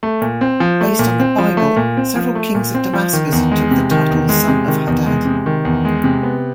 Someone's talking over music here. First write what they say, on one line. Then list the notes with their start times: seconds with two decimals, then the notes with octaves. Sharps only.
Based on the Bible, several kings of Damascus took the title son of Hadad.
0.03 A3
0.21 A#2
0.41 C4
0.60 F3
0.81 A3
0.99 A#2
1.20 C4
1.38 F3
1.57 A3
1.76 A#2
1.97 C4
2.16 F3
2.35 A3
2.55 A#2
2.74 C4
2.93 F3
3.13 D#3
3.32 E2
3.51 G#3
3.71 C3
3.91 D#3
4.10 E2
4.29 G#3
4.48 C3
4.68 D#3
4.87 E2
5.06 G#3
5.25 C3
5.46 D#3
5.65 E2
5.85 G#3
6.04 C3
6.23 B3